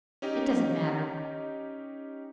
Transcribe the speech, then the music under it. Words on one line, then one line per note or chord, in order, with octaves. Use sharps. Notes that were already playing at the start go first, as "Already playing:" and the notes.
It doesn't matter.
C#4 D#4 G4 D#5